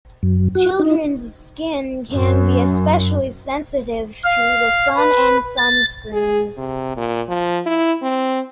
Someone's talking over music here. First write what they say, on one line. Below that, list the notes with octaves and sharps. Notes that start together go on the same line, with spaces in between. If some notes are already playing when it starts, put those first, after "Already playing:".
Children's skin can be especially sensitive to the sun and sunscreens.
F#2
F#4
D#4
F#2
F5
B4
A6
G#4
C3
A#2
F3
E4
C4